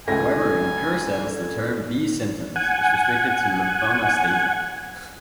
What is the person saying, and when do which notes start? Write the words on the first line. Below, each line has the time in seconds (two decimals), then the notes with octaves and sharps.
However, in a pure sense, the term "B symptoms" is restricted to lymphoma staging.
0.07 C#2 A3 G#5 A#6
2.56 F#5 G#5